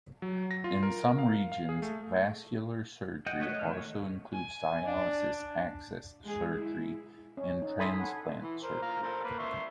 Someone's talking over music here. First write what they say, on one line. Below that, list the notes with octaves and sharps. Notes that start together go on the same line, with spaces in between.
In some regions, vascular surgery also includes dialysis access surgery and transplant surgery.
F#3
A#6
F4
A#4
F5
F5
G#4
A3
D#5 F#5 G5
A3 C#5 D#5 F#6
D#3 A3 F6
C#5
G#5
D4
G#3 G#4
E4
C#4
D#4
A4 G#5 B5 C6 D#6
F#5 G#5
E3
A#4 C5
F3 F5 A#5
A4 A#4 C5
A#3 B4
E5 C6 C#6